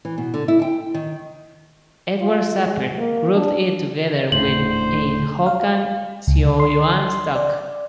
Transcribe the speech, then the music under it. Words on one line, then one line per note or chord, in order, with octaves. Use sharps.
Edward Sapir grouped it together with a Hokan-Siouan stock.
E3
B2
D3
E4
G5
D#3
F4
G#3
A#3
D4
D#1 D2 A2 D3 C5 F#7
F5
C#2
C6
D5